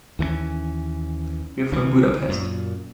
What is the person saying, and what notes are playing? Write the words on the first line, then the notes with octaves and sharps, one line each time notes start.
We’re from Budapest.
D#2 E3 G#3 C#4
D2 C#3 E3
F#2 A#2